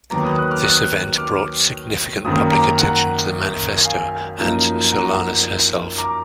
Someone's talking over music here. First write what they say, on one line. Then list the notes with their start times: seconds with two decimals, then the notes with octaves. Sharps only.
This event brought significant public attention to the "Manifesto" and Solanas herself.
0.11 D#2 D#3 F#3 B3 A#5 D6
0.24 B5 D#6
0.38 D#6 F#6
0.51 D6 F6
0.64 D#6 F#6
1.18 D6 F6
2.25 G#1 F#2 D#3 A#3 B5 D#6
2.51 A#5 D6
2.78 F#5 A#5
3.85 F5 G#5
4.39 F#2 F3 A#3 D#4
4.92 F#5 A#5
5.98 A#5 D6